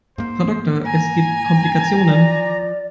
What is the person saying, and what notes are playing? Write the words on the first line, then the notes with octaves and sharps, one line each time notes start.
Frau Doktor, es gibt Komplikationen.
G#2 A#3 C5
G#5 A#5
F3 D5